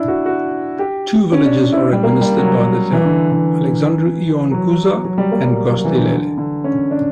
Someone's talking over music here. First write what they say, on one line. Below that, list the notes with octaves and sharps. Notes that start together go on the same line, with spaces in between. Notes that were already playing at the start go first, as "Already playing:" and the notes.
Two villages are administered by the town: Alexandru Ioan Cuza and Gostilele.
Already playing: D4 E4
F#4
F#4
G4
C#4
D4
E4
G3
A#3
G3
F#3
E3
D3
E3
F#3
F#3
G3
A#3
G3
F#3
E3
D3
D3
D3
C#4
D4